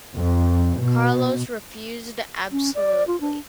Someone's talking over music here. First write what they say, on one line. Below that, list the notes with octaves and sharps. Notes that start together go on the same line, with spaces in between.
Carlos refused absolutely.
F2
B2
C#4
D5
F4
D4